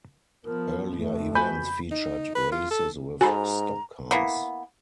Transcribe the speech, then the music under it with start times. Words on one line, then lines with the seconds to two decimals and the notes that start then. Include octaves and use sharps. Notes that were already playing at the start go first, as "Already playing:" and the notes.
Earlier events featured races with stock cars.
0.45 F3 B3 A#4
0.97 F2 A3
1.35 F#4 B4 G#5 B5 G6
1.91 D#4
2.35 B4
2.52 F4
2.71 A4
3.21 G#2 F#4 A4 C5 G#5 A#5 B5
4.11 E3 A#3 B3